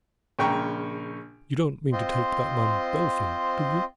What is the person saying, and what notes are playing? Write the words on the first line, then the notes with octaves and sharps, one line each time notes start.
"You don't mean to take that man Bellfield, do you?"
A#1 C#3 G5 A#5 C#6
C4 F4 C5 D#5 C6